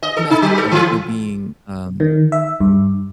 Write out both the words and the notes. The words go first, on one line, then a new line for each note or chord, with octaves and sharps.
not messed up, but, like, you're being, um,
D#5
A4
D#4
F#3
A4
E3
D#3
E5
G2